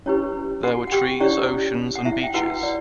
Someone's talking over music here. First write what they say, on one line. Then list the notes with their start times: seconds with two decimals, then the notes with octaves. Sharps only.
There were trees, oceans and beaches.
0.06 C#4 E4 G4 B4 C#5
0.63 F#4 F#5
0.87 F#5
0.92 G4 G5
1.20 C#4 E4 G4 C#5 D5
1.95 F#5
2.05 E4 E5
2.24 G5
2.34 E4 F#4 B4 F#5
2.63 D5